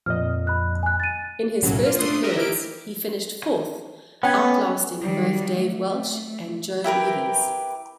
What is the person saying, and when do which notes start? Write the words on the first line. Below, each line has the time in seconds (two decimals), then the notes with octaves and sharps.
In his first appearance he finished fourth, outlasting both Dave Welch and Joe Beevers.
0.06 F2 A#2 D#5 F6
0.47 B5 F#6
0.83 G#5 F#6
1.00 A6 D#7
1.62 B1 F#2 A2 C#3 F#3
1.83 A#3 F4
1.98 A3 D4 C6 D#6
2.23 G4 A#4 B4 D#5 E5
2.36 E3 E4 G4 A#4 D7
4.23 B3 C#4 F#5 G5 G#6
5.01 D#3 G3
5.56 A3
6.84 E4 G4 A#4 B4